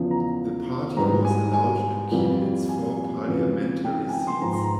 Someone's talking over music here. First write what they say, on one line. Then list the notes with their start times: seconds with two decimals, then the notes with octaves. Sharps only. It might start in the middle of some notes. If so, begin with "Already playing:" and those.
The party was allowed to keep its four parliamentary seats.
Already playing: E2 C#3 F3
0.11 A#5
0.97 G#2 E3 G3 A#5
1.25 G#5
1.53 G#5
2.12 F2 E3 G3
2.69 G#5
3.27 F2 C#3 E3
3.85 G5
4.09 G#5
4.13 G5
4.27 C6
4.42 G#2 F3 A#5
4.53 C6
4.64 A#5